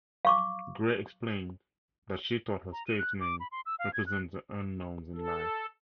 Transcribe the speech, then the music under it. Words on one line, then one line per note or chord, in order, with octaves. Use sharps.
Grey explained that she thought her stage name represents the unknowns in life.
F5 C#6 D6
A#5
D#7
F#6
D6
B5
C6
E6
F5
G#6
F#6
A4